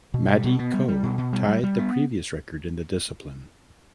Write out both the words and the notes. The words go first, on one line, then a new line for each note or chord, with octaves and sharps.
Madi Ko tied the previous record in the discipline.
B2
G3
B2
B3
G3
G3
B2
B2
G3
G3
G3
B3